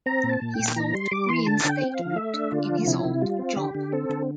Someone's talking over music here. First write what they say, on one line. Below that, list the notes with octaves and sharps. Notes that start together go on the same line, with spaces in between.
He sought reinstatement in his old job.
C4 A#5
A#2
A5
A#2
G5
A#2
E3 A#5
G3 C6
G3 D6
E3 C6
D3 A5
D3
G5
C4
F5
F3
A3 E5
D4
D3 F4
F3
C3 E4
C3
G3 F4
C4
D3 G4
D3
C4 A4
D3